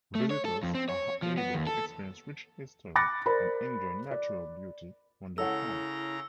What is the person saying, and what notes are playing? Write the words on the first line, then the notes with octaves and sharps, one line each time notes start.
Visitors are able to experience rich history and enjoy natural beauty when they come.
A3
C#5
A4
F2
C4
C#5
F3
B3
D#2
A4
B5 D6 F#6 A6 A#6 C#7
A#4 C5 D5 B5
D5
C#3 E4 A4 C#5 F#5 A#5 E6